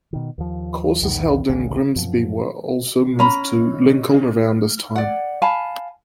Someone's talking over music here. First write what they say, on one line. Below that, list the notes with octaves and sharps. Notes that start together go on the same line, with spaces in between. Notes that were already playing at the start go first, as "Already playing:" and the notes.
Courses held in Grimsby were also moved to Lincoln around this time.
B2 D#3
D#2 F3
B1 E2 A#2 D#3
A1 D2 C#3
F#2 F3
C#4 A#5 B5
D5 F#5
F5 G#5 A5 B5